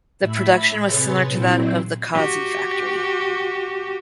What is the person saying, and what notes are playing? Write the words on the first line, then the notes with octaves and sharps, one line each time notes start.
The production was similar to that of the Cozzi factory.
A2 E5 B5
C3 G#4 B4 C#5 C6 A6
A#2 F#3 C4 E4
F#4 G4